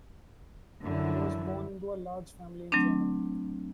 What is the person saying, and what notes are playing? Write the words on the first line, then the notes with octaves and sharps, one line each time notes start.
He was born into a large family in Germany.
F#2 D3 E4
F#3 A3 C4 D4